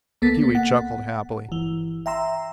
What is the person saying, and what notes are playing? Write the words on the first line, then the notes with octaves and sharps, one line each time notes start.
Pewee chuckled happily.
C#2 A#3 B3 A4 A6 B6
F#5
G1 E3
E5 G5 A#5 C6 E6